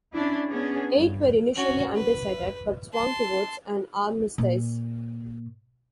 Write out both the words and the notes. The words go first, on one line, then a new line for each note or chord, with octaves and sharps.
Eight were initially undecided but swung towards an armistice.
C#4 D4 E4
B3 C#4 D4 G#4
G2
C#4 F#4
B4
A5 C6
A#2